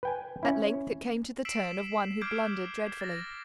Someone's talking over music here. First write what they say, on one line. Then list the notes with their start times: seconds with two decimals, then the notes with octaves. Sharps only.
At length it came to the turn of one who blundered dreadfully.
0.03 B4 G5 G#5
0.43 C#4 E4
1.45 E6 B6 C7 D7 E7 F#7
2.21 D6 F6 G6 G#6 C7 D7
3.01 A6 A#6